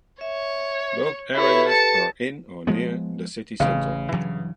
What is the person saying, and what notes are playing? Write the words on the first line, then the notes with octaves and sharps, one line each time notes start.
Both areas are in or near the city centre.
C#5 E5
E4 G4 A4 B4 C#5
A5 C#7
F3 G#3 B3
A1 C#3
G2 E3 F#3